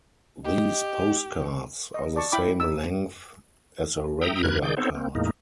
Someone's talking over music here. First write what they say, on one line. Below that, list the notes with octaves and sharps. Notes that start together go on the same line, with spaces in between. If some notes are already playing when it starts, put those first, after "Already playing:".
These postcards are the same length as a regular card.
G4 D#5
D#5
D5 A5 C#6
E4 G5 B5 D6
D#4 E6
E5 G5 A#5 D#6
F2 A#4 B4 F#6 G#6
D#3 G#4 D5 G6
B3 C4 D#4 A4 C5 C#5
A#3 C4
E2 A2 G#3 A#3 D#4